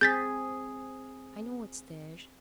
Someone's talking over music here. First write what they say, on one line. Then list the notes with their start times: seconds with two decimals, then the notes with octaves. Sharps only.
I know what's there.
0.01 C4 G#4 G6 A6 B6